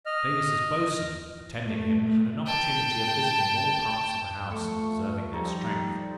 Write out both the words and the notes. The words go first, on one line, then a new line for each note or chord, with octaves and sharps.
Davis's boatswain attending him, had an opportunity of visiting all parts of the house, and observing their strength.
D#5 F6
A3
G5 A5
F3 A3 C#6
G3 D#4 A4 C5